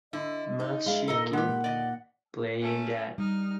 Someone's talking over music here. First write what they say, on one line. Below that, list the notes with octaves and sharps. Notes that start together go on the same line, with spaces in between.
Must she keep playing that?
D3 E4 D#5
D#4
G#3 D4 E4 F5
D#2 A#2 F4 A4 D#5 A#5
G#3 G4 F#5
D3 D5 D#5
A3 C#4
G3 D#4 F6